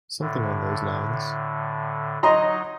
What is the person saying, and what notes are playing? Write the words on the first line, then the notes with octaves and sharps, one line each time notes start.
Something on those lines.
A2 D3
F#3 D#4 D#5 A#5 C6